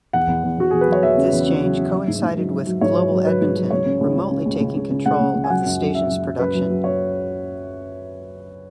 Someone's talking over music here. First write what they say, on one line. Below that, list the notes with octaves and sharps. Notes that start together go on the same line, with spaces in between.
This change coincided with Global Edmonton remotely taking control of the station's production.
E2 F#5
E2
E2
E2 F#4
E2 G#4
B4
F#3
C#5
E2 E5
C#3
E2
C#3
F#3
C#3
F#3
G#2
G#2
F#3
F#3
F#3
G#2 C#5
F#3
F#3
F#3 B4
G#2
F#3
C#2 C#5
C#3
C#2
C#3
C#3
C#2
C#2
C#2
C#3
C#2 F#5
C#2
C#2
G#5
F#3 F#5
F#2
F#3
F#2 E5
F#2
F#3
F#2 B4
F#3
F#3
F#2 C#5